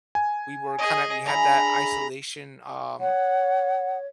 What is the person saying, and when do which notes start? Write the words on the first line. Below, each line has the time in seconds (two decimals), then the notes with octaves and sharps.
we were kinda we had that isolation, um,
0.15 G#5
0.78 G#4 D#5
1.26 D4 G#4 E5 A#5 B5
3.00 C#5 F#5